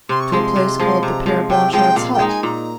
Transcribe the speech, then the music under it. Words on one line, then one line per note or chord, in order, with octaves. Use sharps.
"To a place called the Pere Blanchard's hut?"
C3 C6
C#6
F3 G#3 C6
C3
F3 G#3
C3 A#5
F3 G#3
C3 G5
F3 G#3 G5
A#2 F5
G5
G#3 D#4
G#5
A#2 A#5